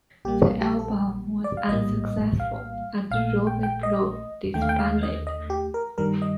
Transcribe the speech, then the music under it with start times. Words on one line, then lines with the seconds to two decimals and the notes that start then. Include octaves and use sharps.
The album was unsuccessful, and Ruby Blue disbanded.
0.25 A#1 A#2 G3 A#3 G4
0.43 F4
0.61 G4
0.79 A4
1.44 D5
1.57 F5
1.68 A#1 A2 G3 A#3 D#5
2.40 F5
3.11 A#1 A#2 A3 F5
3.47 G5
3.63 G5
3.83 D#5
4.54 D#2 D3 A3 G5
4.62 F5
4.69 G5
4.79 F5
5.03 D#5
5.27 D#5
5.50 G4
5.74 A#4
5.98 G2 D#3 G3 A#4
6.22 D#5